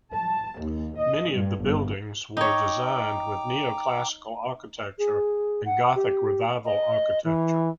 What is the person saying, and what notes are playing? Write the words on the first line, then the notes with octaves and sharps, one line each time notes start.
Many of the buildings were designed with Neoclassical architecture and Gothic Revival architecture.
A5
D#2
D#5
G2
G1
D#4 C#5 G5 A#5 D6
G#4
F#5
G4
D#5
E3